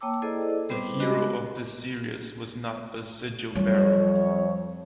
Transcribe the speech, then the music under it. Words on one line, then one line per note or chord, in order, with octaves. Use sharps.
The hero of this series was not a Sigil-Bearer.
A#3 C#5 G5 A5 D6 E6
E4 G#4 A4 C5 D5 D#5
G3 B3 C4 B4 C5 D6
G#3 F#4 G4 D#5 B5 D6
F2 F#3 G3 C#5